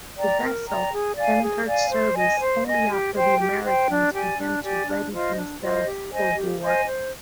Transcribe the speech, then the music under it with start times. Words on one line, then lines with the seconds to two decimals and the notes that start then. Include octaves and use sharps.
The vessel entered service only after the Americans began to ready themselves for war.
0.17 D5 G5 A#5
0.42 A#4
0.67 D5 G5 A#5
0.91 G#4
1.16 D5 F5 G#5
1.42 G#4
1.66 D5 F5 G#5
1.91 C5
2.15 D#5 G#5
2.39 C5
2.65 D#5 G#5
2.90 G4
3.14 C5 G5
3.39 G4
3.64 C5 G5
3.89 D4
4.13 G4 D5 G#5
4.38 D4
4.63 G4 D5 G#5
4.87 D4
5.12 F4 C5 D#5
5.36 D4
5.61 F4 C5 D#5
5.86 G4
6.11 C5 D#5 G#5
6.36 G4
6.60 C5 D#5 G#5
6.85 C5